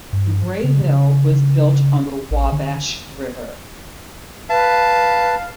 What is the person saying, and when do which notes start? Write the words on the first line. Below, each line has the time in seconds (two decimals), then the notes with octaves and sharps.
Grayville was built on the Wabash River.
0.13 G2
0.64 C#3
0.81 C#3
2.31 A1
2.52 D3
4.50 B4 F5 A5